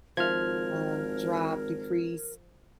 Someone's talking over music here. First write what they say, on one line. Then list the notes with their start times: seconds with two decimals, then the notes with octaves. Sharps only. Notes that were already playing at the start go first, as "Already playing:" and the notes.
uh, drop, decrease.
0.17 G#1 F3 A#4 F6 G#6